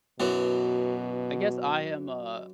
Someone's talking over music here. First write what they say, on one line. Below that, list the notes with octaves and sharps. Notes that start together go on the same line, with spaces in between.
I guess I am a
F#2 B2 E3 F#3